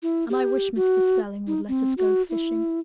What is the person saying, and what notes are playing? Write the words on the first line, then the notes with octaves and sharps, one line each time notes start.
And I wish Mr. Stelling would let us go fishing.
E4
G4
F#4
D#4
C4
F#4
E4